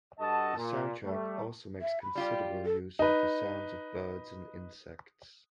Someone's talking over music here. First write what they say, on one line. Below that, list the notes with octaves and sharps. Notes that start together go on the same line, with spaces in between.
The soundtrack also makes considerable use of the sounds of birds and insects.
G2 F#4 A4 D#5 F#5 A5
A#2
G3 A3
E5
B5
G3 F4 G4
A4
D#4 B4